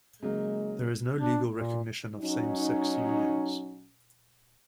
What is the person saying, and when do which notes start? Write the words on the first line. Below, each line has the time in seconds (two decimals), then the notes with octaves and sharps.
There is no legal recognition of same-sex unions.
0.23 C#3 F#3 G#3 A#3
1.18 D4
1.51 A#2
2.19 F#3 C#4 D#4